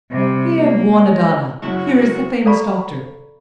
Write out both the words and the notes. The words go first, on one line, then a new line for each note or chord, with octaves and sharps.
Here, buona donna! here is the famous doctor.
C3 G3
A#3
G#3
F#2 C#3 F#3 E4 F#4 E5
A4 D5 F5 A#5 B5 C#6